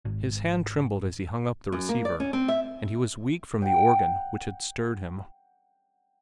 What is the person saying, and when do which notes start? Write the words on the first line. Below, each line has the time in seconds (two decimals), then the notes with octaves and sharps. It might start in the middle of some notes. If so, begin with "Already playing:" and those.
His hand trembled as he hung up the receiver, and he was weak from the organ which had stirred him.
0.05 G#1
1.72 F#2
1.89 A#3
2.05 D5
2.20 C#4
2.33 C4
2.48 E5
3.62 F#5 G5